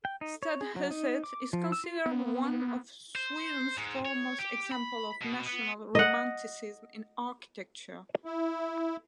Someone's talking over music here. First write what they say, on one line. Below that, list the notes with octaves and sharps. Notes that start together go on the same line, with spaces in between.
Stadshuset is considered one of Sweden's foremost examples of national romanticism in architecture.
G5
D#4
C#5
G#4
F#3
D#4
D6
F3
E6
F4
B3
C5
G#2
C#5
G4
B5
B2
B3
D#5 F#5
E4